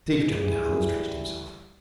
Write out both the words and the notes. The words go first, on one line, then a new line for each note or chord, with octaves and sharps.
Steve jumped down and stretched himself.
A2 E3 G3 G#4